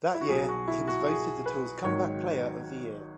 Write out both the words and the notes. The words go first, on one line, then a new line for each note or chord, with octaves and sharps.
That year he was voted the Tour's comeback player of the year.
E4
F#4
B1 B2 F#3 G#4
F#4
E4
F#4
G#4
B4
G#1 G#2 D#3 F#3 C#5